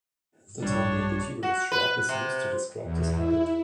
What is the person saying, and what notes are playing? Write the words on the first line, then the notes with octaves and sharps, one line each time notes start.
The term lignotuberous shrub is used to describe this habit.
A#1 G2 G3 D4 C#5
F#4
B4
C3
E2
E4